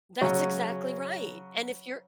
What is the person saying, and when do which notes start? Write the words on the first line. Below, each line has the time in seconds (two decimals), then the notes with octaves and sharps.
That's exactly right. And if you're
0.21 C#3 F#3 C#4